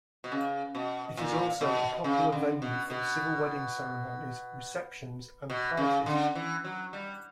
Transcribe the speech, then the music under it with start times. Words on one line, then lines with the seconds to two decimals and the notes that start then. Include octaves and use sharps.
It is also a popular venue for civil wedding ceremonies, receptions and parties.
0.24 B2
0.32 C#3
0.75 B2
1.17 A#2
1.61 B2
2.04 C#3
2.32 D3
2.62 B2
2.90 B2
5.50 B2
5.77 C#3
6.06 D3
6.35 E3
6.64 F#3
6.93 G3